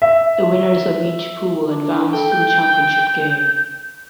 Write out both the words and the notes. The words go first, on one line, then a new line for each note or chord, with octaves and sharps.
The winners of each pool advanced to the championship game.
E5
D4
A4 G5
G6